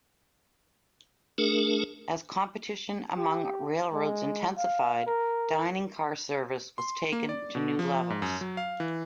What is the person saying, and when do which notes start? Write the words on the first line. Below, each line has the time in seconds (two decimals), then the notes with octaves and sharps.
As competition among railroads intensified, dining car service was taken to new levels.
1.38 A3 D4 G#4 A#4
3.17 G4
3.93 G#3
4.57 F5
5.06 A#4
6.78 C6
7.12 A#3
7.29 D5
7.55 B2
7.79 F3
8.10 G#2
8.22 F#2
8.41 F#3
8.57 F5
8.80 E3